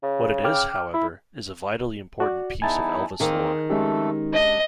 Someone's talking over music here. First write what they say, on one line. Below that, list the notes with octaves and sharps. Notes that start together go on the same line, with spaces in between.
What it is, however, is a vitally important piece of Elvis lore.
C#3
G5 D6 F6
E4
F#4 D5
E2 D#4 E4 G#5 A5
D#3 A#3 C4 G#4
F2 G#3 A3 C#4 G4 A4
D4 D#5